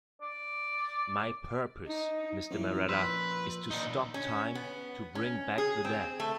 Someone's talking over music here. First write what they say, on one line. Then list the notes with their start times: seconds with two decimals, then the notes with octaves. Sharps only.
My purpose, Mr. Marratta, is to stop time, to bring back the dead.
0.22 D5
1.86 D#4
2.51 F2 A#2 A#3 C#4 E4
2.89 B4 C6 E6 G6
3.71 A#2 D#4
4.14 C#4
4.55 B3
5.15 C#4
5.58 G#4
5.85 C4
6.20 A3